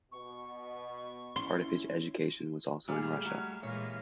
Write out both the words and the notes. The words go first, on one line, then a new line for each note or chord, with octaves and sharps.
Part of his education was also in Russia.
B2 C#6
C#4 E4 C6
A#2 G3 A3 G#4 F6
F#3
A#2 E3 G#3 C#5 F5